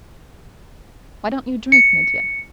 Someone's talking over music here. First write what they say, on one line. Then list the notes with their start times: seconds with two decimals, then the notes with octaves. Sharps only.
Why don't you drink, Mitya?
1.72 C#7